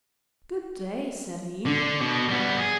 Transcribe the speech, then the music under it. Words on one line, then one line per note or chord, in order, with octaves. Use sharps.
"Good day!" said he.
D3
B2
G3 B3
G#4